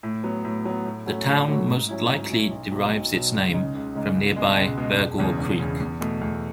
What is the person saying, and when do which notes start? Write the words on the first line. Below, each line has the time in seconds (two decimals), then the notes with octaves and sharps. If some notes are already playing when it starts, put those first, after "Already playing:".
The town most likely derives its name from nearby Burgaw Creek.
0.03 A2
0.24 F#3 B3
0.44 A2
0.65 F#3 B3
0.86 A2
1.06 F#3 A3 C#4 F#4
1.26 A2
1.48 F#3 A3 C#4 F#4
1.68 G#2
1.89 F#3 C#4 E4
2.09 G#2
2.30 F#3 C#4 E4
2.51 B1
2.71 B2 F#3
2.92 B1
3.13 B2 F#3
3.33 C#2
3.54 C#3 G#3 D#4
3.75 C#2
3.95 C#3 G#3 D#4
4.15 C#2
4.36 B2 G#3
4.57 C#2
4.78 B2 G#3
4.98 E1
5.18 E2 C#3
5.39 E1
5.60 E2 C#3
5.80 E2
6.01 B2 A3
6.21 E2